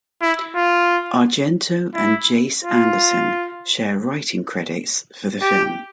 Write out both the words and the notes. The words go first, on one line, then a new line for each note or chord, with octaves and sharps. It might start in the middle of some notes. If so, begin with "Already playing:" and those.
Argento and Jace Anderson share writing credits for the film.
E4
F4
E4
F4
G4